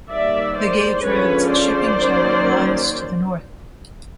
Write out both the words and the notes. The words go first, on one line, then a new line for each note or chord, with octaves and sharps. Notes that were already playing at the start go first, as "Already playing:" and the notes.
The Gage Roads shipping channel lies to the north.
D#3 G3 A#3 D5 E5
C5 D5
D3 F3 G#3 C#4 B4 C#5
C5 D5
D#3 F#3 A#3 C#4